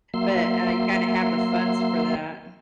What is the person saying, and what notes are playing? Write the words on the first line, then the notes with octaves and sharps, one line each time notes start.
but uh you gotta have the funds for that.
F#3 A#3 E5 C6